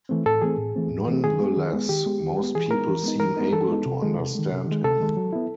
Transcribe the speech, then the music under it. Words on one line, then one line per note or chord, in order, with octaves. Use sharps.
Nonetheless, most people seem able to understand him.
E3 A3 C4
A2 A4
E3 A3 C4 G#4
A2
E3 A3 C4
A2
E3 A3 C4
D#3 G#4
G#3 B3
D#3
G#3 B3
D#3 G4
G#3 B3
D#3
G#3
B3
E3 G#4
G#3 B3 D#4 A#4
E3
G#3 B3 D#4
E3 A#4
G#3 B3 D#4
E3 A4
G#3 B3 D#4
C3
D#3 G#3
C3
D#3 G#3
C3
D#3 G#3
C3 A4
D#3 G#3
F#3
B3 E4